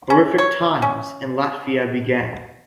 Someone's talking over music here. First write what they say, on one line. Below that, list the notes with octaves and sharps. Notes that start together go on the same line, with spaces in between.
Horrific times in Latvia began.
C#4
C#5
C#4